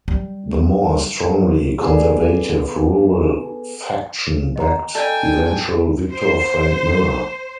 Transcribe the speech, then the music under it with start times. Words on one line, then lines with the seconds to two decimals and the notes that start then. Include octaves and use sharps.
The more strongly conservative rural faction backed eventual victor Frank Miller.
0.08 G3
1.81 B3 G#4 A4 D5
4.56 D#5 A#5
4.95 F4 A4 D5 D#5 G5 G#5
6.11 C5